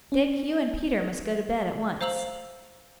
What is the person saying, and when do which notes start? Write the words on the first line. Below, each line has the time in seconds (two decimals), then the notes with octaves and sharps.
Dick, you and Peter must go to bed at once.'
0.12 C#4
2.01 C5 F5 A#5 E6 F7 F#7